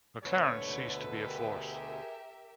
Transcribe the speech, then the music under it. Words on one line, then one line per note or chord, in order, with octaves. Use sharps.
McLaren ceased to be a force.
D2 B2 D3 A4 B4 C#5
G4 G#4 A#4 E5